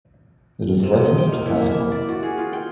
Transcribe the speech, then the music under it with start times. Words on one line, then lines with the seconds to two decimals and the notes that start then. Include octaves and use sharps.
It is licensed to Pasco.
0.83 C3
1.06 D#5
1.18 G5
1.32 A#3
1.46 E4
1.57 A#3
1.71 E5
1.92 D5
2.09 F#4
2.23 G#4
2.38 F4
2.53 G5